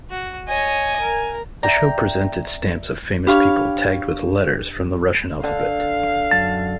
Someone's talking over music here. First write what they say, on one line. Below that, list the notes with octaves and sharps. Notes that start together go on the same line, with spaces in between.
The show presented stamps of famous people tagged with letters from the Russian alphabet.
F#4
C#5 D#5 G#5
A#4
D5 E5 G5 A#5
D4 G4 C#5 F5 B5
D3 F5
F#2 A5 A6